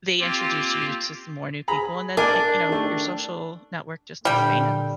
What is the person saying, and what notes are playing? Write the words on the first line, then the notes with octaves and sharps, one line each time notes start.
they introduce you t to some more new people, and then, like, you know, your social network just expands.
A#3 C4 F4 G4
G#4 A#5 B5
D4 A#4 D5 G#5 D6
D#3 A3
A#2 D3 G3 G5